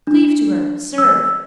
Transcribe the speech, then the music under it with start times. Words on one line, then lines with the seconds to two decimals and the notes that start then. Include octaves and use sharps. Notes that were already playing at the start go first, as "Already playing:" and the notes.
Cleave to her! Serve!
0.07 D4
0.98 E6